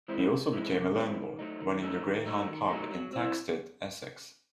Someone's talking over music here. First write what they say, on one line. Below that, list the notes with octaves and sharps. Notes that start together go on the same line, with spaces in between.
He also became a landlord, running the Greyhound pub in Thaxted, Essex.
E3 G#3 C4 E4
C3
E3 G#3 C4 E4
C3
E3 G#3 C4 E4
D#3
F#3 A3 D#4
D#3
F#3 A3 D#4
D#3
F#3 A3 D#4
D#3
F#3 A3 D#4
F#3
C4 E4